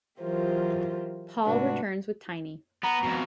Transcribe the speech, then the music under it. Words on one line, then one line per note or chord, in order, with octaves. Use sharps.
Paul returns with Tiny.
E3 F#3 F4 G4 A#4 C5
G#2 C3 A3 D4 F#4 B4
B3 A#5
F2 B2